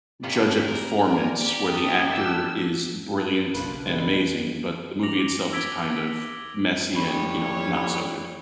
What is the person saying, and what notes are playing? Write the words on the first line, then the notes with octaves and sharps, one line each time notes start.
judge a performance where the actor is brilliant and amazing, but the movie itself is kind of messy and, you know, not so good?
C3 B3 C#4 F4 D5
A#4
D5
A#3 G4
G3 A5 D#6 E6 A6
D4 B4 E6
F#1 B1 F3 A#3 D4 F4 B4
G3 G#3
D6 A#6 F7 F#7
E6 G#6 B6 D7 G7
F2 E3 G3 C#5 B5